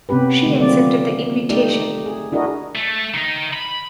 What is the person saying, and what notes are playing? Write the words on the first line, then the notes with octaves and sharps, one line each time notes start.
She accepted the invitation.
C3 B3 C#4 G4 B4
D3 D#3 A3
F3 F#3 A#3 C4 D5
A3 D#4 G4 D5
G#4
D4 E4 F#4 G#4 A#4 D#5
A3
D#3 D#4
B5